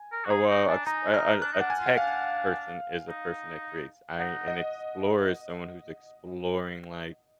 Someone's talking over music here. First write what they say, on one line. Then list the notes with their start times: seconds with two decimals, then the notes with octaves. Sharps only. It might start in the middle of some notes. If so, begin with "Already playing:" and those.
oh a ex a a a tech person is a person that creates, I an explorer is someone who's exploring like,
Already playing: G#5
0.12 A#4
0.25 F#4
0.30 G#4 A#5
0.50 D#4
0.68 D4 G#5
0.86 D#4 A#5
1.09 F4
1.14 D#4 F6
1.42 D4 F#6
1.52 D#4
1.60 D4 F#5
1.70 G#5
1.79 F4
1.86 F#5
1.97 D4 F5
3.09 D#4
4.19 D#4 F#5
4.48 D#5